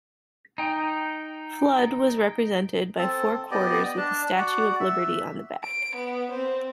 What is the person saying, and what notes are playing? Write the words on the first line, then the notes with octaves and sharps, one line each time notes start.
Flood was represented by four quarters with the Statue of Liberty on the back.
D#4 G5
C4 A4
B3 G4 D5 D#5
D4 A5
F#4 D5 F#5
E5
D7
B3
C4 C5